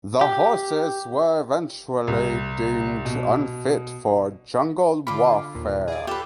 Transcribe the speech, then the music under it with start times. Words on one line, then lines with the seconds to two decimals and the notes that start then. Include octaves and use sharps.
The horses were eventually deemed unfit for jungle warfare.
0.21 G4
2.08 C2
3.05 B2
5.07 D3 F4 B5 D6
5.55 D#2 A#2
5.88 G#4 D5
6.07 F4 G4 A4 B4